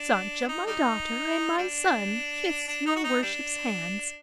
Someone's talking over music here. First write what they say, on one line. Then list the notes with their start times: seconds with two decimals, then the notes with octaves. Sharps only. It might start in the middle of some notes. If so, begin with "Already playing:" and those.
Sancha my daughter, and my son, kiss your worship's hands.
Already playing: D4
0.48 D#4
0.67 G3 D#4
1.58 G3 D4
2.68 D4
2.86 D#4
2.96 F#4
3.04 D#4
3.23 G3 D4